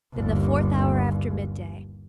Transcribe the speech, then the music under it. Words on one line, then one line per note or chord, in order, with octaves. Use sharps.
'Then the fourth hour after midday.
G1 D#2